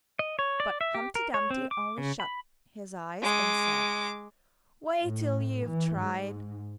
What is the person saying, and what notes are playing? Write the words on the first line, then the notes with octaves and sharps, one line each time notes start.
But Humpty Dumpty only shut his eyes and said 'Wait till you've tried.'
D#5
C#5
D5
E5
G4
A#4
C#5
C4
D6
C#3
B5
G#3 D6
A2
E3
G#2